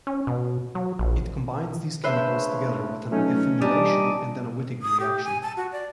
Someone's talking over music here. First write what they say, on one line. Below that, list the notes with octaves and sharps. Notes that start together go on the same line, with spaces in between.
It combines these chemicals together with an ethynylation and then a Wittig reaction.
C#4
B2
F#3
A#1
C#3 A3 D4 B4 C5 E5
F#3 A3 C#4 D#4
G3 D4 D#4 G#5 A5 D6 D#6
D#6
G4
G#5
A5
F#4
D5